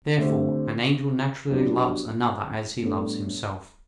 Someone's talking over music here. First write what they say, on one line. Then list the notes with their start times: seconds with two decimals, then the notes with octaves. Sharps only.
Therefore an angel naturally loves another as he loves himself.
0.18 D3 A3 C4 G4
1.50 F#3 B3 D4 G4
2.83 A2 G3 B3 D4 A4